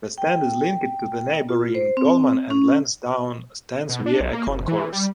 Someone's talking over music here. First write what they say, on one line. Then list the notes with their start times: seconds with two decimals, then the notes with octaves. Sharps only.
The stand is linked to the neighbouring Dolman and Lansdown stands via a concourse.
0.18 G5
1.49 F4
1.75 C5
1.97 C4
2.50 C#4
3.89 B2
4.06 D4
4.20 B1
4.33 A#3
4.47 F#1
4.68 E3
4.93 G3